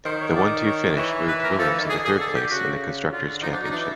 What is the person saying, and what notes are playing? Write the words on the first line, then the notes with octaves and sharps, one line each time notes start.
The one-two finish moved Williams into third place in the Constructors' Championship.
D#3 C5
C#5
D5
C#5
E3 C#5
B4
A#4
F3 A4
E3
D#3
D3 G#4
G#4
A4
G4
C#3 F#4
D3 F4
F3 D#4
D4
F#3
D#4
D4
E3